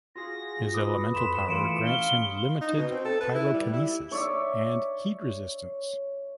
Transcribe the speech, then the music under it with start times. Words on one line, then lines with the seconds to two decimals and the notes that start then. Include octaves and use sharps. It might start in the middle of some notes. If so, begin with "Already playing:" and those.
His elemental power grants him limited pyrokinesis and heat resistance.
0.16 F4 F#4 G#4 A#6
0.74 B4 D6 D#6
1.14 F2 B5 C6 B6 E7
1.49 E3 A3 F4 C6 C#7 D7
1.85 C#4 F5 G7
2.61 D#4
2.77 B2
2.91 C4
3.05 A4
3.21 B4
3.35 E4
3.54 G3
3.73 E4
4.12 C#5 D5 E5